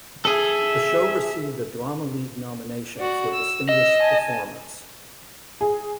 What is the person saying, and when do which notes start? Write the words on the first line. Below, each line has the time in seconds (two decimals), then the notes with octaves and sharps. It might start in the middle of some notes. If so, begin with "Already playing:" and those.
The show received a Drama League nomination for "Distinguished Performance".
0.25 G#4 A4 E5
2.97 F#4 D5
3.33 E6
3.69 D#5 E6
4.00 G#5 A5
5.61 G#4